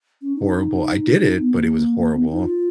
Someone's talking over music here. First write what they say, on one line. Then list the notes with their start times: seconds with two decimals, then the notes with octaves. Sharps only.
horrible. I did it, but it was horrible.
0.22 C#4
0.36 D#4
0.51 D#4
1.38 B3
1.53 A#3
1.96 A#3
2.12 B3
2.25 D#4
2.41 F4